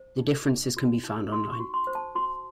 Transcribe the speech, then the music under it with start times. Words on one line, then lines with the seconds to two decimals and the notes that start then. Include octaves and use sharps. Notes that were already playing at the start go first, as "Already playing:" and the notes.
The differences can be found online.
Already playing: C5
0.20 D#4
0.49 D#4
0.77 F#4
1.04 D#4
1.32 D#4 C6
1.52 C#6
1.60 F#4
1.74 C6
1.87 C5
1.95 A5
2.15 F#4 C6